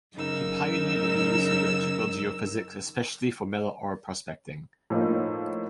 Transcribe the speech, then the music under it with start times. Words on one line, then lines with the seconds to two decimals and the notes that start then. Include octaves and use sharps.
He pioneered the use of electrical geophysics, especially for metal-ore prospecting.
0.14 F#2 C#3 D#4 A#4 E6
4.90 A2 F3 A#3 D#4